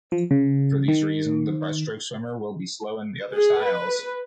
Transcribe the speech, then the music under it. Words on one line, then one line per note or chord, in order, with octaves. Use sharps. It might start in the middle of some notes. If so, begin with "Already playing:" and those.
For these reason the breaststroke swimmer, will be slow in the other styles.
F3
C#3
D#3
G#4
B4